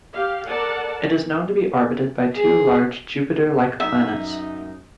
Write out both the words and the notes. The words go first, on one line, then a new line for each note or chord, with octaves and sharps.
It is known to be orbited by two large Jupiter-like planets.
G4 F5
A4 A#4 D5 F#5 A5
G#4
F#2 D#4 E5